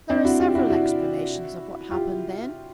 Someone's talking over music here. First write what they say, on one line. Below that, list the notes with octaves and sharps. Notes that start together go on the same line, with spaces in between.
There are several explanations of what happened then.
C4 D4
E4 F#4
F4 G4
E4 F#4
E4 F#4
F4 G4